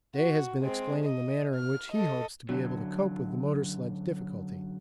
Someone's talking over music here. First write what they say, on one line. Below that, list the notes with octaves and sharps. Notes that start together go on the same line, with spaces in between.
Day has been explaining the manner in which he hopes to be able to cope with the motor sledge difficulty.
F#4
G#3 C4
D#5
F6
A4 D#5
F#2 D3 F#3